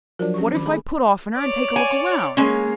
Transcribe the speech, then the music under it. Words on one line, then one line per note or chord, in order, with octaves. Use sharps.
'What if I put off in her and take a look round?
F3 F#3 D4 A#4
C#4 G4 C#6
D#3 B5 D6
A3 G#4 B5
C#5 D5
G#5
G#3 A#3 C#4